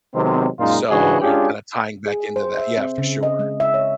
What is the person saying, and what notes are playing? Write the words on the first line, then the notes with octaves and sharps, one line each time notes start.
so, you know, kind of tying back into that yeah, for sure.
C3 D#3 F#3 G#3 B3 C4
F#2 A#2 G#3 D#4 F4
G#2 C#3 E3 D4 F#4 G#4
G#3 C#4 D4 F4 G4 G#4
G#4
C5
E5
C4
C#3
D#5
G#3
E5
C#5